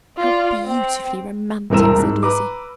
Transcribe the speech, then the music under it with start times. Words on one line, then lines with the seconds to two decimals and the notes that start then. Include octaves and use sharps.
"How beautifully romantic!" said Lizzie.
0.17 F4 D5
0.64 C4
1.70 E1 C2 C4 A#4 E6 E7
1.98 G#2
2.23 B4 A#5 D6